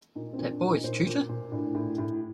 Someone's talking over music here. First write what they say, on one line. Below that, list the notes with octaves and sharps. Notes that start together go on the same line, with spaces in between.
That boy's tutor?
A#2 D#4
C4
A#2
D4
A#2
D#4
A#2 C5
A#2
A#2
A2 D4
A2
A2